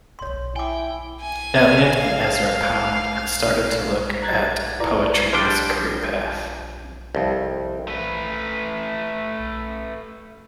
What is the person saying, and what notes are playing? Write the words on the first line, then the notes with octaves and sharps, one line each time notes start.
Eliot and Ezra Pound and started to look at poetry as a career path.
C#5 C6
E4 G5 G#5 D6
G#5
F5
A#5 F#6 G#6 A6
E4 F4 B4 D5 A#5
F3 G3 D4 G5
C2 F2
A3 B4